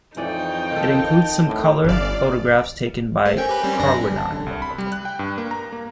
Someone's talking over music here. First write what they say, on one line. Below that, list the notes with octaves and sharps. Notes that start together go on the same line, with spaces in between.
It includes some colour photographs taken by Carwardine.
F2 E3 C#4 D#4 D5 G5
D#3 A4
A2
G1 C#4 D5 E5 F5
A3 C5
C#4 A#4 G5 G#5
G4 B4
G3 C4 C#4
F#2 D4 A#6
G3
A5
D3
C2
B5
G3
F#6
G5
G2
A#3
A#5
A#3